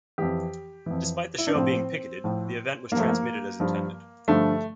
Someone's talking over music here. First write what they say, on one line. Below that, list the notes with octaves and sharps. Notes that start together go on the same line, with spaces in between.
Despite the show being picketed, the event was transmitted as intended.
F2 E3 G4
F2 E3
E4
D4
A2 F3 C4
A2 F3
G2 F3 A3 A#3
A#3
G2 F3
G2 D3 F3 A3